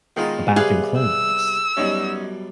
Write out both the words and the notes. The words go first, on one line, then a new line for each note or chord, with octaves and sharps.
a bathroom cleanliness?
B2 D#3 G#3 D#4 F4 A5
C3 G3 B3 G#4 F5 F#6
E6
F#2 B2 G3 C#4 D#4